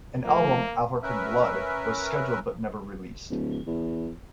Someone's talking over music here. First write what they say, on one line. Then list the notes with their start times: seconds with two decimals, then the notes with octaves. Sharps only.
An album "African Blood" was scheduled but never released.
0.24 A#2 F3 A3 A#3
1.03 C#4 A#4 B4 E5
3.30 D1
3.67 E2